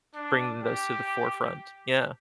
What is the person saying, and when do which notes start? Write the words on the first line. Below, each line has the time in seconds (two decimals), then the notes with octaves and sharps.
bringing those to the forefront, yeah.
0.15 D4
0.63 G4